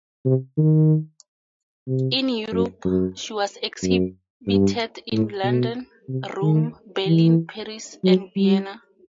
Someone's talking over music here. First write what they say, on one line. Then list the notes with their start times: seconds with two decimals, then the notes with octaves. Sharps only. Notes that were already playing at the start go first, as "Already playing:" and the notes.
In Europe, she has exhibited in London, Rome, Berlin, Paris and Vienna.
0.25 C3
0.57 D#3
1.87 C3
2.52 F#2
2.85 F#2
3.82 F#2
4.47 G2
5.12 A2
5.44 B2
6.08 C3
6.42 D#3
7.07 E3
8.04 F#3
8.36 G3